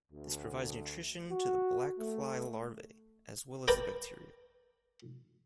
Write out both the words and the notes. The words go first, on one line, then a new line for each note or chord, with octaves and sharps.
This provides nutrition to the black fly larvae, as well as the bacteria.
D2
F#4
A3
A#4 B4 D5 G5 A5 A#5